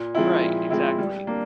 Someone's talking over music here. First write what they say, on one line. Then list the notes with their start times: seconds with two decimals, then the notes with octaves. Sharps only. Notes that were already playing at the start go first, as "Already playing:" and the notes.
right, exactly.
Already playing: A#2
0.15 F3 G#3 C4 E4
0.43 A#2
0.70 F3 G#3 C4 E4
0.98 G3
1.27 A#3 D4